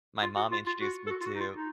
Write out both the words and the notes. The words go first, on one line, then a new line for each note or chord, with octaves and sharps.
my mom introduced me to.
F4
F#4
F4
F4
F#4
A4
F#4
F4
F#4
D#4
F4
D#4